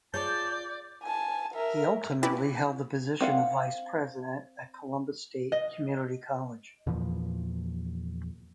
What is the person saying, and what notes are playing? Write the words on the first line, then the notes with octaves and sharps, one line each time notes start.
He ultimately held the position of Vice President at Columbus State Community College.
F4 G#4 C#5 D5 A5 G6
G#5 A5
A#4 E5
C4 C#4 E4 G4 B4 D5
C4 F5 F#5
D#5
E2 A#2 E3 F3